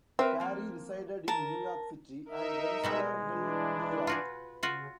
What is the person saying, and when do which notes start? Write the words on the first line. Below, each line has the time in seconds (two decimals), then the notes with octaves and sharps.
Carey resided in New York City and Rensselaerville, New York.
0.19 C4 A#4 B4 E5
0.40 F3 A#3
1.28 A#4 A5
2.29 D#4 A#4 D#5 E5
2.84 B2 G3 G#3 F#4
3.31 E3 D4 B4
4.07 F4 F#4 G#4
4.63 C#3 F4 F#4